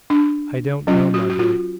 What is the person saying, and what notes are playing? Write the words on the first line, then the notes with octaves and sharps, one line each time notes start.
"I don't know, my boy."
D4
F#3 C#4 F4
F#4
F#4
F4